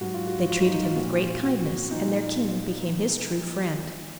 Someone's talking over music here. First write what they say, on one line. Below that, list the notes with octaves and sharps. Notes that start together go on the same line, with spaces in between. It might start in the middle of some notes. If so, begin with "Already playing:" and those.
They treated him with great kindness and their king became his true friend.
G#2 F#3 F#4
F4
F#4
F4
D#4
D#4
F4
A#2 F3 F#4
F#4
A#2 F3 D#4